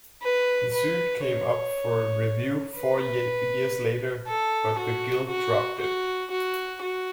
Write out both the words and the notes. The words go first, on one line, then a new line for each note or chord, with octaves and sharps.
The suit came up for review four years later, but the Guild dropped it.
B4
B4
C#5
B4
A4
F#4
F#4
F#4
F#4
F#4